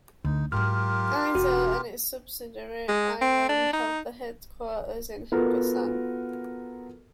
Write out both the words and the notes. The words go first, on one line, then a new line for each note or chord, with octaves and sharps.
Eizo and its subsidiary, Irem, have their headquarters in Hakusan.
D2 D3 D#4
G#2 F#3 F4 G4 A#4 F6
E1 F#4
G#3
C4
D4
D#4
B3 F4 F#4 A4 A#4